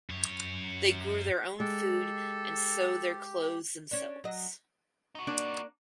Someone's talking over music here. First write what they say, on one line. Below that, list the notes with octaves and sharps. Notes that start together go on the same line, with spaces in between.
They grew their own food and sew their clothes themselves.
F#2 C#5
G#3 G4 A4
C#4 D4
F#3 D#5
D#4 F#4
A#3 D4 D5